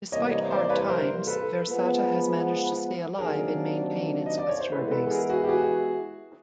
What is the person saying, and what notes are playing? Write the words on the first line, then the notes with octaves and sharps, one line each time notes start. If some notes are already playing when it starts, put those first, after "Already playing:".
Despite hard times, Versata has managed to stay alive and maintain its customer base.
C3 E3 G3 A#3 C#5 D#5
C#5 D#5
C5 D5
D5
B4 C#5
A#4 C5
A4 B4
F3 G#3 B3
C3 D#3 F#3 A#3 D4 G#4 A#4
D#5
D5
C#5
C5
E3 G#3 B3 E4 A4 B4
A4 B4
G#4 A#4
F#4 G#4
G4
F#4 G#4